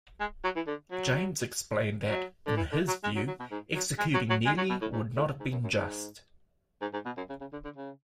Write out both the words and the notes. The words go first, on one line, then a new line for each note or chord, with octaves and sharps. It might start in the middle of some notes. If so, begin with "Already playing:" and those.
James explained that, in his view, executing Neelley would not have been just.
G#3
F#3
E3
D3
F#3
F#3
D3
E3
D3
F#3
G#3
F#3
F#3
B2
G#2
F#3
G#3
F#3
F#3
G#3
F#3
B2
A2
G#2
A2
G#2
F#2
F#2
G#2
G#2
G#2
B2
F#2
C#3
C#3
D3
D3
C#3